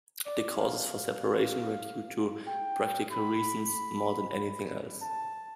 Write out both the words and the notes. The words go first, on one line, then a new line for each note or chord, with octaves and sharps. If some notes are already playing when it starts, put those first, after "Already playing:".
The causes for separation were due to practical reasons more than anything else.
D5
F5
G5
B5
A5